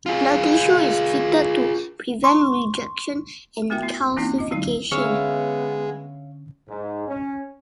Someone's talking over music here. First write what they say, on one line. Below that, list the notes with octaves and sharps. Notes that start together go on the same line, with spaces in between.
The tissue is treated to prevent rejection and calcification.
F4 G#4
C6 C#6
A3 B3 F#4 A#4 E5 G5
B3 E4
E3 A#3 C4 C#4 D#4 E4
F4 D#5
D3 F#3 G#3 D#4 E4
D3 G#3 B3 C#4 C#5 E5 F5
G#2
C#4